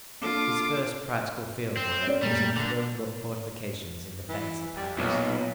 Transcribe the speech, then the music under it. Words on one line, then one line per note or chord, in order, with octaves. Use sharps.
His first practical field work was in throwing up fortifications in defence of Paris.
A#3 D4 F4 A4 D6
C4
C#4 D5
A#2 G3 A3
D3
E3
G3
B1 A#2